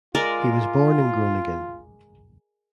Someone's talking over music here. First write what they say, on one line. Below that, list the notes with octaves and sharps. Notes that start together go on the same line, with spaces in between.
He was born in Groningen.
G#3 F4 A#4 D5